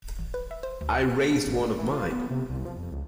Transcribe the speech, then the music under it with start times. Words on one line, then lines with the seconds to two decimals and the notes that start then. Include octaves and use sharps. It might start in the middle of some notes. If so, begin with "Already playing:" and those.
I raised one of mine.
0.19 A1
0.34 B4
0.51 E5
0.63 C5
0.81 D2
1.46 A1
1.61 A#2
1.78 E3
1.93 F4
2.12 B3
2.30 C3
2.49 C2
2.65 F3
2.77 F2
2.92 C#2